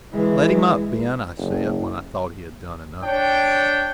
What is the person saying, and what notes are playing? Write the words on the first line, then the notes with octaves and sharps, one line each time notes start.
"Let him up, Ben," I said, when I thought he had done enough.
E3 G#3
F#1
D4 C#5 G5